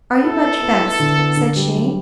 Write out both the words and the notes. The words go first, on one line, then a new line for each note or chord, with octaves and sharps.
'Are you much vexed?' said she.
E4 A4
B3
B3
E4
D3
B3
D3
G3
F#3